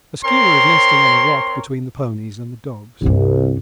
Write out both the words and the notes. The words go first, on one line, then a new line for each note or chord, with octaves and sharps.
A skua is nesting on a rock between the ponies and the dogs.
C4 A#4 C#5 C6
C2 G2 C#4